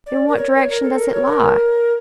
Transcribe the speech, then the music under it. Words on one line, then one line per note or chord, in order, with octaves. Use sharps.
'In what direction does it lie?'
D5
A#4
C#5
C#5
A#4
A4
A#4
C#5
A#4